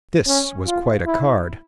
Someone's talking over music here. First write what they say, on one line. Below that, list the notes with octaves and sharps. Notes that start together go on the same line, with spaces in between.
This was quite a card.
C#4
F4
E4